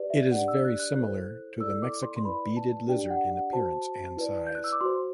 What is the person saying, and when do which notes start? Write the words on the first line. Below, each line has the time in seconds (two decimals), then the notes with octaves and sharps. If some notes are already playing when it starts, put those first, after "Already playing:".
It is very similar to the Mexican beaded lizard in appearance and size.
Already playing: G4 B4 D5
0.10 E5
0.31 D4 G4 D5 F#5
0.48 E6
0.65 F#6
0.80 F#6
0.96 E4 A4 C5 F#6
1.60 E4 A4 D5 E6
1.82 D6
2.03 C6
2.16 C6
2.25 E4 B4 D5 B5
2.57 A5
2.88 D4 G4 D5 G5
3.10 F#5
3.31 F#5
3.52 F#4 C5 A5
4.17 E4 B4 D5
4.47 G6
4.55 F#6
4.64 E6
4.72 D6
4.81 F#4 C5 C6